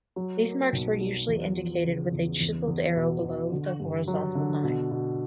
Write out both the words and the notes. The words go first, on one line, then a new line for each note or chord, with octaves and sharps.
These marks were usually indicated with a chiseled arrow below the horizontal line.
F#3
A#3
B1
F#3
E2
F3
C#3
E2
E2
E2
B2
B2
D3
G2
F#3
D3
B2
B2